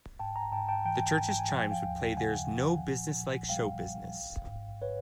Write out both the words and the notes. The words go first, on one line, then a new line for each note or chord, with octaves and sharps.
The church's chimes would play There's No Business Like Show Business.
G#2 G5 A5
G#5 A#5
G#2 G5 A5
G5 A5
E3 G5
G#5
G5
G#2 G#5
G5
G#5
F3 G5
G#5
F5 G5
D#2
C#3 F#5 G#5
F3
A#2
A#2
G3 F5 G5
B1
A1
G#2
B4 C#5